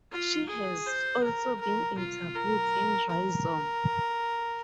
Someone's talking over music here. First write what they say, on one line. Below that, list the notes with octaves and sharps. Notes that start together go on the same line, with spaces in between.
She has also been interviewed in Rhizome.
F4
G#4
C5
A#4
A#4
F4
A#4
A#4